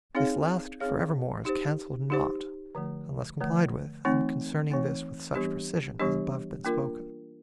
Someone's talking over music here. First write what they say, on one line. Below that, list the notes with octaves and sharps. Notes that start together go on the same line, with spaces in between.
This last for evermore is cancelled not Unless complied with, and concerning this With such precision has above been spoken.
C4 D#4 G#4 C#5 F5
C4 D#4 G#4 C#5 F5
D#4 G4 C5
D#4 G4 C5
D3 F3 A3
D3 F3 A3
E3 A3 C4 D#4
E3 A3 C4 D#4
E3 G3 B3 D4 G4
E3 G3 B3 D4 G4
A#3 D4 F4 A#4